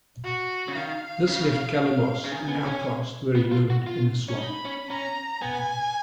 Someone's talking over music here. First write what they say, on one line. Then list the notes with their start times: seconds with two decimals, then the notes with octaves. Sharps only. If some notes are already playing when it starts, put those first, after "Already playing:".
This left Calibos an outcast where he lived in the swamp.
0.24 F#4
0.68 C#3
0.76 D#3 F5
1.27 C#3
2.24 C#3
2.31 D#3 G#5
2.48 B3
2.66 C#4
3.35 B3
3.52 F4
3.70 F#4
3.86 F4
4.28 C#4
4.38 D#4 B5
4.65 C#4
4.90 C#4 A#5
5.42 B3 G#5